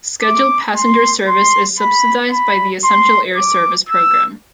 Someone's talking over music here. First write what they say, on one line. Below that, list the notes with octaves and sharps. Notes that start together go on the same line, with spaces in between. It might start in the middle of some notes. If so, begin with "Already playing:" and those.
Scheduled passenger service is subsidized by the Essential Air Service program.
D6
C6
C6
B5
B5
C6
D6
E6